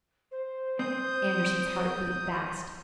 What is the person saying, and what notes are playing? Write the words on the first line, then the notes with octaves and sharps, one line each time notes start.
Andersen's heart beat fast.
C5
C4 D#6 G6